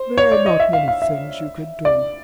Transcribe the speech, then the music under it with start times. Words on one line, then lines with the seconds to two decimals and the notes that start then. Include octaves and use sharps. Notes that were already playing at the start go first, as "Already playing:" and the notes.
"There are not many things you could do."
Already playing: C5
0.18 C#5
0.32 D5
0.46 D#5
0.60 E5
0.73 F5
0.88 F5
1.02 E5
1.85 D5